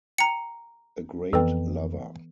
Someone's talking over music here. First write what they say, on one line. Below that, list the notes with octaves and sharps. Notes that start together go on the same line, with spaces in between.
A great lover.
G5 A#5 C#7
F2 E3 B3 A4 B4 G5